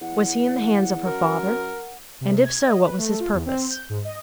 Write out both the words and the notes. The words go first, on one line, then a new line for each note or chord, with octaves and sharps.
Was he in the hands of her father? and if so, what was his purpose?
E2 F#5
F#2 A#4
C3
G#6
D#5
B4
A3
F4
E2
C4
G6
G#2
D#5